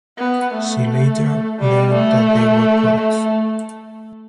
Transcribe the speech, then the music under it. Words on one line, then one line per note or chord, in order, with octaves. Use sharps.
She later learned that they were Kurds.
B3
A3
G3
A3
A3